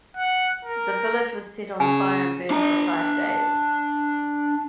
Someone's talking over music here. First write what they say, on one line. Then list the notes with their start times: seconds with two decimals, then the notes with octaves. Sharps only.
The village was set on fire and burned for five days.
0.17 F#5
0.65 A#4
1.80 C#3 G#5
2.51 D4 A#5